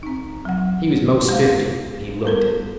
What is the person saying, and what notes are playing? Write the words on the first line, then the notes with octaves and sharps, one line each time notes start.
He was most fifty, and he looked it.
C4 D#4
F#3 F#5
G#3 B3 F5
G3 B3 A4 A#4